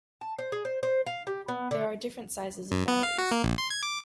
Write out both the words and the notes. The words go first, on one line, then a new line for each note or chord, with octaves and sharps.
There are different sizes of batteries.
A5
C5
G#4
C5
C5
F5
G4
B3
D3
F#2
B3
F5
F#4
A#3
A#1
C6
G#6
D6